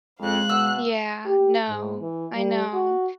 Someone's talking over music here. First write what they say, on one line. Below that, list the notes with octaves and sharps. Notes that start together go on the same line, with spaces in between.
Yeah. No. I know.
F2 G#3 F5 F#6
B2 E6
G4
G#2
E3
G3
F#4